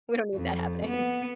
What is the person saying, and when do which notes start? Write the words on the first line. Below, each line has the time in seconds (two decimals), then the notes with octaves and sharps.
We don't need that happening.
0.35 F2
0.85 B3